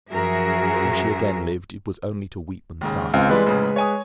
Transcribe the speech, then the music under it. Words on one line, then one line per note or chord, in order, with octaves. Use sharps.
When she again lived, it was only to weep and sigh.
F#2 F3 F#4 G#4 A#4 E5
D#2 G#2 C#3
C#2 C4 F5
E3 G3 G#3 B4 C6
F1 A2 C#3
C#5 G#5 D#6